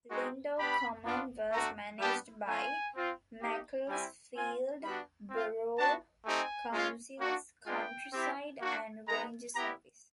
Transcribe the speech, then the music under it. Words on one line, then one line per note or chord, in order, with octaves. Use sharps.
Lindow Common was managed by Macclesfield Borough Council's Countryside and Ranger Service.
G#3 C4 D#4 F#4
B3 D4 G4 B5
B3 D4 F4
A3 D4 F#4 A#5
G3 B3 D4 G4 A5
A3 C#4 F4 G#5
C4 F4
A#3 D#4 G4
G3 C4 E4 G4 G#5
C4 F4 G#5
G3 B3 D4 F#4 B5
C4 F4
B3 D4 F#4 A5
A3 C4 D#4 G4 G#5
G#3 C#4 F4
A#3 D4 F#4
G#3 B3 D4 F4 G5
C4 E4 G4
A#3 D4 F#4
G#3 B3 D#4 A#5
B3 E4 G4 A#5